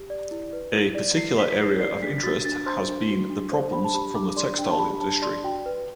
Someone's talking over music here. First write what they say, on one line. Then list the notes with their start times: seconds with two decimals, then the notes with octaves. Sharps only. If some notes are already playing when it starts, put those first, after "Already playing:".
A particular area of interest has been the problems from the textile industry.
Already playing: G4
0.10 D5
0.31 E4
0.53 B4
0.74 E4
0.95 D5
1.16 E4 C7
1.38 B4 B6
1.50 B6
1.60 E4 C7
1.80 D5 C7
2.02 D4 B6
2.17 B6
2.23 F#4 A6
2.45 D4 A6
2.66 C5 C6
2.88 D4
3.09 F#4
3.30 D4
3.52 C5
3.73 D4 B5
3.84 A5
3.94 G4 B5
4.15 D4 D6
4.36 D5 C6
4.59 D4 G5
4.71 A5
4.79 G4 B5
5.01 D4 A5
5.22 D5 C6
5.44 F#4 G5
5.66 B4